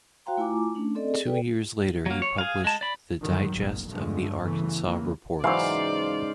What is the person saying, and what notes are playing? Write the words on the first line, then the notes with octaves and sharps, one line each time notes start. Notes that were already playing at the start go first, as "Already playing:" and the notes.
Two years later he published the "Digest of the Arkansas Reports".
F#4 C5 F5 G5 A#5 C6
A3 E4 F4 G#5 A#5 D6
A3 C#4 D4
C4 A4 D5 D#5
G#4
A4 B4 D5 G5
F#3 A#3
C#5
G#4 F5
G#3 A5
D5 B5
F#2 D3 D#3 F#3 G3
F1 A#1 A#2
G2 D3 F3 G#3 A3
C#3 E3 A3 B3
C#3 E3 A#3
G#2 C#3 E3 F#3 C5 D5 F5